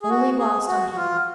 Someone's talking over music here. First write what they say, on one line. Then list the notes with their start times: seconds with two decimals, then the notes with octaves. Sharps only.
'Only whilst I'm here.'
0.02 G#4
0.10 F#4
0.39 G#4
0.68 F#4
0.91 F#4
0.96 F4